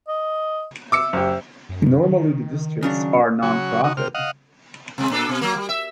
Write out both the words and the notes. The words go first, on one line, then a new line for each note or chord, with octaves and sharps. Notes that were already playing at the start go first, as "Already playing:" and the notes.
Normally the districts are non-profit.
D#5
E5 D6 E6 C#7
F#1 G4
F#2
D#3
C#3 F#3 D4
C#3 F#3 F#4
D#4 F#4
C3 F6
D#5 F5 F#5
C3 G#3
A#2 D4 A4
B2
F#3 A#3
G3
E5